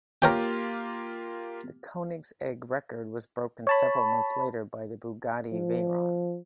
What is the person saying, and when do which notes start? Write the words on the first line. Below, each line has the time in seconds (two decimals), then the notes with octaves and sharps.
The Koenigsegg record was broken several months later by the Bugatti Veyron.
0.22 A#3 F4 G4 A#4 C#5 G5
3.67 C#5 A5 B5
5.53 F3